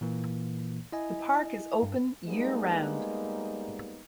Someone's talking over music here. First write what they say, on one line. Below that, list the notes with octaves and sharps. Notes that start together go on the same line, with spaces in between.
The park is open year-round.
A#2 E3 A#3
E4 D#5 G#5
G2
G3 G#3 A#3 B3 D#4